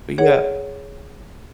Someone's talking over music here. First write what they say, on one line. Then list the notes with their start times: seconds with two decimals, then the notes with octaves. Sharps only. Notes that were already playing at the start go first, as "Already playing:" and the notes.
But yeah
0.18 G#4 C#5 F#5